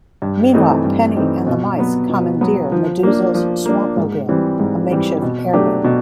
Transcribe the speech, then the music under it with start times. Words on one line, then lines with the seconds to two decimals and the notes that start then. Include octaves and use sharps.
Meanwhile, Penny and the mice commandeer Medusa's swamp-mobile, a makeshift airboat.
0.22 G2
0.53 E3 A3 C4 D#4
0.84 G2
1.16 E3 A3 C4 D#4
1.47 B2
1.78 F#3 B3
2.10 B2
2.41 F#3 B3
2.72 F3
3.03 A#3 D4
3.35 F3
3.66 A#3 D4
3.97 G#2
4.29 E3 G3 C4
4.60 G#2
4.91 E3 G3 C4
5.22 B2
5.53 F#3 A3 D4 G4
5.85 B2